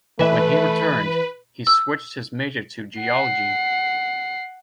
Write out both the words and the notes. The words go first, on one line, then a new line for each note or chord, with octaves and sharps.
When he returned, he switched his major to geology.
E3 A3 B4 E5
E6
F#5 C7